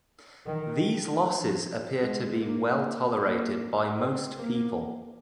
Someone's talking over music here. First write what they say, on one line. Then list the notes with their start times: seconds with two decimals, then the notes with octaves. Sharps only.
These losses appear to be well tolerated by most people.
0.46 D#3
1.24 F3
2.02 G#3
2.41 A#3
3.20 A#3
3.99 C4
4.37 A#3